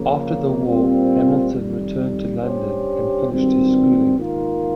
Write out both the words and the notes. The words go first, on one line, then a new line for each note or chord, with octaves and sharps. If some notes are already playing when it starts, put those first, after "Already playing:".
After the war, Hamilton returned to London and finished his schooling.
Already playing: C#3 F3 A#3
A#2 G3 C4 F4
F2 D#3 G3
G2 G3 C#4 G4 C5
G#1 G2 G3 C4
G#2 D#3 A#3 F4 A#4